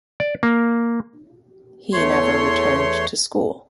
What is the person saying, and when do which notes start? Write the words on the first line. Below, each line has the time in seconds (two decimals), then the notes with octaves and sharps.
He never returned to school.
0.20 D5
0.43 A#3
1.93 E2 A3 C#5 C6